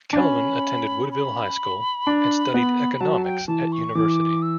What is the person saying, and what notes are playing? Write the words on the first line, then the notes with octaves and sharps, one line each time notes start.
Kelvin attended Woodville High School and studied economics at university.
D4
C#4 B5
B5
D4
B3
F#3 A5
G5
E3 A5
C#6
E3 D6
E6